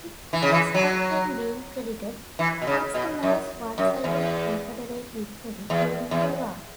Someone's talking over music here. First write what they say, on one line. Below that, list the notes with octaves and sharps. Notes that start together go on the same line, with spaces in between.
It has often been credited as the most one-sided Confederate victory during the War.
E3
C#3
E3
F#3
E3
B2
C#3
B2
F#2
F#2
E2
E2
E2